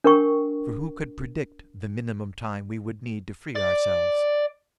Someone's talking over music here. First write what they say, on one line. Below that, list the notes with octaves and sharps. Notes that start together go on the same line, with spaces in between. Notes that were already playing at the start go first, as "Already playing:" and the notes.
For who could predict the minimum time we would need to free ourselves?
D4 A#4 G5 C#6
D5